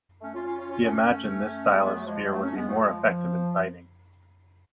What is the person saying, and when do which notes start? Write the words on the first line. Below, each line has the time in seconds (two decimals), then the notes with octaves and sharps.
He imagined this style of spear would be more effective in fighting.
0.21 A3 C#4
0.34 C#4 F4
0.46 C#4 F4
0.58 C#4 F4
0.70 C#4 F4
0.83 A3 C#4
1.70 G#3 B3
1.81 G#3 B3
1.94 F#3 A3
2.07 F3 G#3
2.18 F3 G#3
2.31 F#3 A3
2.44 A3 C#4
2.55 G#3 B3
2.68 F#3 A3
2.80 F3 G#3
3.05 F3